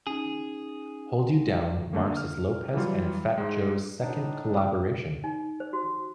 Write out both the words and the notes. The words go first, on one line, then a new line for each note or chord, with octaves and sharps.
"Hold You Down" marks as Lopez and Fat Joe's second collaboration.
C#4 D#4 G#4
C6
D3 A3 A#3
F6
E3 F#3 G3 F4
G#2 G#3
A2 D4 D#4
C#3 G4
D#4
C5
F#4